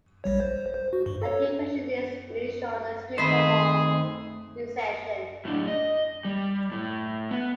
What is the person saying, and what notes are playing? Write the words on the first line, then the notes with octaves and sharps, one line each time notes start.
A depression is an unusual and extreme form of recession.
A#1 G3 C#5
C5
C5
F#4
G2
A4 C#5
D#3 A3 C4 G#4 B4 C5 D#5
A2 D4
D#5
G3
A2
B3